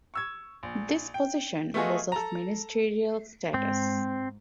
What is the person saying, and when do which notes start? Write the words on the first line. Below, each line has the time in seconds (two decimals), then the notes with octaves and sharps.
This position was of ministerial status.
0.14 C#6 E6 G#6
0.63 A#1
1.14 G5
1.74 A3 B3 F4 F#4 G#4 D#5
2.12 A4 A5 A#5
3.54 G#2 C4